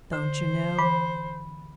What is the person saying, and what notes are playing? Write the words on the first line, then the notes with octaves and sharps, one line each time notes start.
Don't you know?'
D3 C5
E3 B5